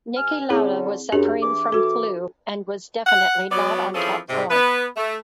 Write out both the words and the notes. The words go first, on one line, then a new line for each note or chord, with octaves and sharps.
Niki Lauda was suffering from flu and was definitely not on top form.
G2 G#5 F6
D3 C4 C#4 E4 G#4
F#2 D4 G4 G#4
E3 D6
F#4 A4
F#5
F#3 B3 D5
E3 F3 C4 C#4 G#4 A4
G#2 C3
B3 B4
A3